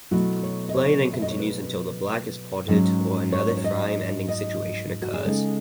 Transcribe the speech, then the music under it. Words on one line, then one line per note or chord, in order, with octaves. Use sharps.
Play then continues until the black is potted or another frame-ending situation occurs.
B2 F#3 A3 E4 F#4
C#5
D#5
C#5
E5
D#5
C#5
B4
G#2 F#3 C#4
C#5
C#5
D#5
D#5
F#4
G#4
C#3 G#3 D#4 A4